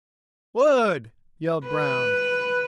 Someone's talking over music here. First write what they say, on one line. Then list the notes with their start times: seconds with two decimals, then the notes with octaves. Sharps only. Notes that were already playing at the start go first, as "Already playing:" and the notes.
"Wood!" yelled Brown.
1.67 B4